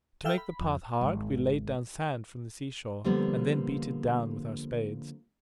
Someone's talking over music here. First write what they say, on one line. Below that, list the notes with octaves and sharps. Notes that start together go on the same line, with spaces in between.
To make the path hard we laid down sand from the sea shore, and then beat it down with our spades.
A4 E5 F5 G5 E6 F6
B5
F2
G#1
D3 F3 G3 A#3 B3